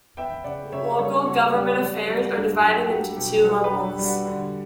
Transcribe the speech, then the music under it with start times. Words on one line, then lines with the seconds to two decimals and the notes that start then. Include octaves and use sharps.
Local government affairs are divided into two levels.
0.17 B3 E5 G5
0.44 C#3 D5 F#5
0.72 C#3 C#5 E5
0.99 G3 A4 C#5
1.26 C#3 F#4 A4
1.53 G3 G4
1.80 G3 F#4
2.08 G3
2.22 F#4
2.36 G2
2.62 F#3 G4
2.72 A4
2.82 G4
2.89 F#3 F#4
3.17 B2 G4
3.44 G3 F#4 A4
3.64 G4 B4
3.71 D4
3.85 G4
3.99 G3
4.05 F#4
4.26 D3